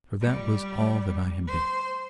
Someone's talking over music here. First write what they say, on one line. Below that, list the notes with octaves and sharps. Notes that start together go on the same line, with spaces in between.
For that was all that I had been.
G3
C5